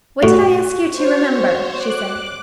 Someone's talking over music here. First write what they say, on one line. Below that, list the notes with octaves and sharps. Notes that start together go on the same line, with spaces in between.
"What did I ask you to remember?" she said.
A2 F#4
C5 C#5
D6 F#6